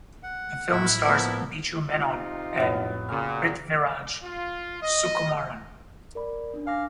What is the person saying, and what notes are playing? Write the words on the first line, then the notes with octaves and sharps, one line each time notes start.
The film stars Biju Menon and Prithviraj Sukumaran.
F#5
A2 E4
F3 A#3 B3
C3 D#4 F4
F2 A2 F#3 B3
A#2 C#3 F6
F4
D#5
A#4 D5 B5
C#4 D4
F5 G#5 D6 A#6